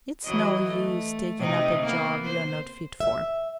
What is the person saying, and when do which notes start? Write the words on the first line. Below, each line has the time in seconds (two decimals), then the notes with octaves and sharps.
It's no use taking up a job you are not fit for.
0.24 E3 F#3 D#5
0.69 A3
1.38 C3 D#4
1.83 A#3 B3
2.23 C5
3.00 E5